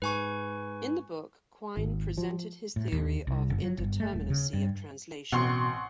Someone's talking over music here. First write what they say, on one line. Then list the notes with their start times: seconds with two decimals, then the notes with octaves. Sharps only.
In the book Quine presented his theory of indeterminacy of translation.
0.02 G#2 B4 G#5 C#6
1.77 G#1
2.18 F3
2.76 A2
2.92 D#2
3.27 C2
3.50 F#1
3.63 F#3
3.78 G1
4.00 A3
4.13 D#1
4.30 C#3
4.53 G2
5.32 A1 B2 C4 F#5 C6 C#6